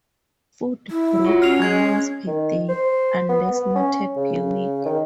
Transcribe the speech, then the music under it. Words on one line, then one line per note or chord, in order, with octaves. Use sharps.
Food group amounts per day, unless noted per week.
E4
F#3 F4
C#4 F6 C7 F7
G#3 G#6
D#3
C5
B3
B3
C#4
C#3
D#3